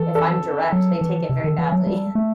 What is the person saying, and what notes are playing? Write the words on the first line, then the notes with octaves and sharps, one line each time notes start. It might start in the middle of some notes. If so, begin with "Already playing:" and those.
if I'm direct, they take it very badly.
Already playing: E3 A4
A4
F#3
E3
C3
D#3
E3
F#3
G3
A3